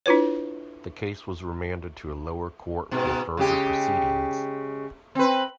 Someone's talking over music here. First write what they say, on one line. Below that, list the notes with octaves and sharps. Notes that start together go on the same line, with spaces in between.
The case was remanded to a lower court for further proceedings.
D4 E4 F4 B4 C#5
G#2 B2
C#3 G#3 G4
C4 B4